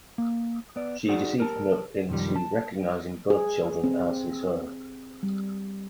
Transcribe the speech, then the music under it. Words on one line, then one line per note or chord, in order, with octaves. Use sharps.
She deceived Cnut into recognizing both children as his own.
A#3
B3 D5
D#4 F#4 G#4 D5 F#5
G4 A#4 A5
C2 F#2 D#3 F3 G3
A5
G#4
C4
G3